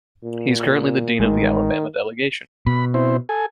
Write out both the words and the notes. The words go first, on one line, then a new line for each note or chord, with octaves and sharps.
He is currently the dean of the Alabama delegation.
A#2
A1 D#3 G#3
B2 B5
C4 E4 C5
A4 G#5